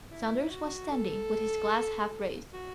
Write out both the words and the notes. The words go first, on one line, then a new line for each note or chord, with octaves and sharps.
Saunders was standing with his glass half raised.
E4
F#4
A4
F#4